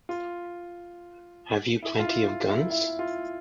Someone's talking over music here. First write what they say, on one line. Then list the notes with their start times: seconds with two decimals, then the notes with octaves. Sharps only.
Have you plenty of guns?
0.09 F4
1.82 E4
1.99 F4
2.04 E4
2.26 F4
2.48 E4
2.70 E4
2.99 F4